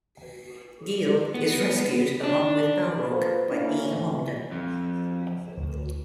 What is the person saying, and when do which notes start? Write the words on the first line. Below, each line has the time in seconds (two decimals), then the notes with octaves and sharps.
Guile is rescued along with Balrog by E. Honda.
1.34 B3
2.23 D4
3.10 A#3 F4 A4 B4 C5
3.48 A#3 C#4 D4 E4
3.88 F2 A2 E3
4.51 F2
5.57 D2